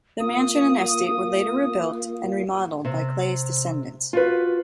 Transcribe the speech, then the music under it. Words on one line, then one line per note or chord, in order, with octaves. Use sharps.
The mansion and estate were later rebuilt and remodeled by Clay's descendants.
A#3 F4 D#6
C3
F4 F#4 B4